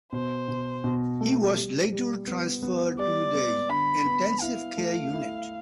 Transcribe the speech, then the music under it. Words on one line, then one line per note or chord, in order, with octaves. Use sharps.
He was later transferred to the intensive care unit.
B2 C5
B2
B2
A3
G3
G3
B3
B3
G3 D5
B3
D3 B5
B3
E4 F5
A3
E4